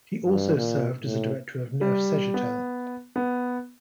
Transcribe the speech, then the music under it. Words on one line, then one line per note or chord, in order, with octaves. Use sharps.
He also served as a director of Neuf Cegetel.
G2
A#2
A2
G3
B3
B3